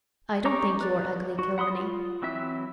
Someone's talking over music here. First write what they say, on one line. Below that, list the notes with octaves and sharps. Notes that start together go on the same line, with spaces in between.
"I don't think you are ugly, Kilmeny."
D#4 G4 A#5 C#6 D6
B4 D5
F#4
F#5 B5 C6 D#6
F4
E3 F#3 C4 E4 E5